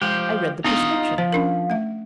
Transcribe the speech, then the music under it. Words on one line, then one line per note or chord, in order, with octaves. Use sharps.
I read the prescription.
F3 G#3 G4
B3 D4 D#4 F4 D#5
F3 C5
C#4 D4 A#4
A3 E5